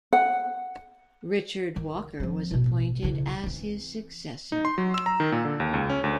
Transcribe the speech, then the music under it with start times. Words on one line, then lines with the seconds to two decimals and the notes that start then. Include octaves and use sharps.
Richard Walker was appointed as his successor.
0.13 F#5
1.76 D#3
2.20 F3 C4
2.51 A1 B2
3.03 C#3 E3
3.43 E3 C4
4.52 D#4
4.65 C6
4.78 F#3
4.94 E6
5.06 A#5
5.20 D#3
5.32 A#2
5.45 D3
5.60 D#2
5.74 C#2
5.90 C#4
6.04 D2